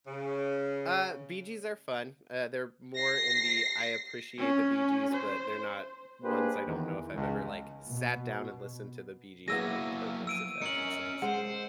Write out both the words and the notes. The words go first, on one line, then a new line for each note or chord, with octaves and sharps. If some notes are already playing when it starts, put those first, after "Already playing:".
Uh, Bee Gees are fun, uh, they're more in the "I appreciate the Bee Gees," but they're not ones I don't know if I've ever, like, sat down and listened to the Bee Gees on purpose, if that makes sense.
C#3
A#6 C7
C#4
C5
A#3 D4 G4 G#4 B4 C5
E2 D#3
C#2
B2
F#3 A#3 B3 E4 G#4 E6 A#6 D#7
E6 D7 D#7
C#4 A#4 D#5 C#7 F#7
G#3 C5 F#5